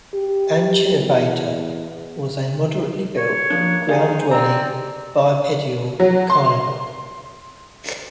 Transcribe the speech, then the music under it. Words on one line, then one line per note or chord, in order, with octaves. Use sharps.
"Achillobator" was a moderately-built, ground-dwelling, bipedal carnivore.
G4
E2
C#5
F3 A#3 D4
G4 G#4 C5 F5 G#5 A#5
C4 G4 D5 A#5
F#3
C6